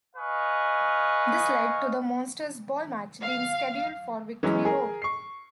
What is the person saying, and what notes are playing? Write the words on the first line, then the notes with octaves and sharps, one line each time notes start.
This led to the Monster's Ball match being scheduled for Victory Road.
B4 D#5 F5 G#5 C#6 D#6
F5
E3 F#3 G#3 C#4
G#4 A#4
C#6 C7